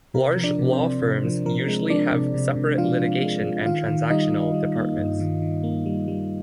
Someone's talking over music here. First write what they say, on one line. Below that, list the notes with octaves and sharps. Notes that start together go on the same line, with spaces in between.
Large law firms usually have separate litigation and transactional departments.
C3 A#4
F3
D4 D5
C3
C4 C5
C3
C3
F3
F3 A#4
G#3
F3 D4 D5
C3
C3
C3
F3 F4 F5
F3
G#3
G#3
D#3 F4 F5
D#3
G3 D#4 D#5
D#3
G3
A#3
G2
D#3
D#3
A#3
G3
G3